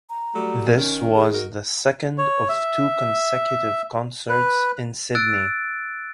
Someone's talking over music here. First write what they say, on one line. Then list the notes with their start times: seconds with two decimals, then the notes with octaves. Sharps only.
This was the second of two consecutive concerts in Sydney.
0.10 A#5
0.34 F#3 G3 A3
0.76 D#3 C#4 A#4
1.14 G#4
1.32 D#4 F#4 A#4
2.18 C#5
2.49 E5
4.29 B4
5.15 E6 F#6 A6 D7